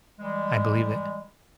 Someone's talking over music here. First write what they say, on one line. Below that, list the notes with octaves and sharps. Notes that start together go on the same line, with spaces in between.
I believe it.
E3 G3 G#3